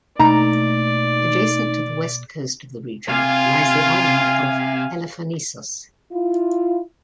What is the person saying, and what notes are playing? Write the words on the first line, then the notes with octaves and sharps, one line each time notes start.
Adjacent to the west coast of the region lies the island of Elafonisos.
B2 A3 A#3 D4 D#4 D5 A#5
C3 F4 F5 G#5
E4 F4